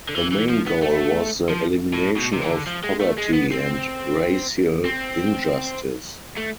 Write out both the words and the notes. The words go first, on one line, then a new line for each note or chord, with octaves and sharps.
The main goal was the elimination of poverty and racial injustice.
D3
E3
E3
F3
B3
A3
F3
A2
B2
C3
E3
D3
F3
G#3
A3
G#3
B3
C4
C4
A3